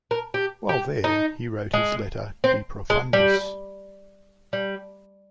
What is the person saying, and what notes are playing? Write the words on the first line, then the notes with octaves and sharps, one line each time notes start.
While there, he wrote his letter "De Profundis".
A#4
G4
G4
D#4
G#3
C4
G#3
G3
G3